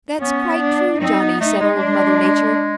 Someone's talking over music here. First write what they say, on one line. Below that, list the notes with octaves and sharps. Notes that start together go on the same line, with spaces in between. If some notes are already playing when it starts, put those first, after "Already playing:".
"That's quite true, Johnny," said Old Mother Nature.
B3 C#4
D4
C4 D#4
B3
A3 D#4
G#3
D4